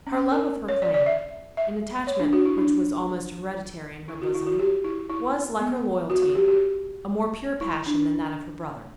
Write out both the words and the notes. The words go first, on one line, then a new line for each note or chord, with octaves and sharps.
Her love of her clan, an attachment which was almost hereditary in her bosom, was, like her loyalty, a more pure passion than that of her brother.
C#4
A#4
C#5
D5
D5
E5
E5
C#5
D4
F#4
E4
D4
E4
F#4
E4
F#4
G4
E4
E4
B3
F#4
F#4
G4
G4
E4
D4